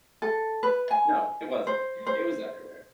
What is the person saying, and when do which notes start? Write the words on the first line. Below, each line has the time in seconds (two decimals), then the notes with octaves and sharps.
no, it wasn't. It was everywhere.
0.22 A4
0.63 B4
0.91 G#5
1.67 C5
2.07 C5